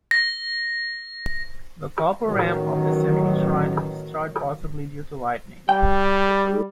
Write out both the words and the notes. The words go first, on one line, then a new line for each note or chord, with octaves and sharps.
The "gopuram" of the central shrine is destroyed possibly due to lightning.
A#6
A1 D#3 F#3
G3 G5